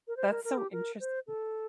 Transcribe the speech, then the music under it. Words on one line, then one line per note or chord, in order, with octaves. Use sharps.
That's so interesting.
A#4
C5
A#4
A#4
G4
A#4
C5
A4